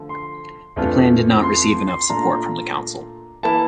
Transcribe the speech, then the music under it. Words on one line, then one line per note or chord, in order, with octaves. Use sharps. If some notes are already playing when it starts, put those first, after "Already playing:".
The plan did not receive enough support from the council.
Already playing: D3 F3 A3
C6
F2 E3 A3 D4 F4
C6
C6
A#2 A3 D4 F4 A#5
E3 A#3 E4 A5